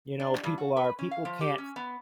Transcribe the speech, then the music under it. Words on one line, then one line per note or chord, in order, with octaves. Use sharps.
you know, people are, people can't
D4
G2
F#4
B4
C#4
F5
F3
G4
C#4
B3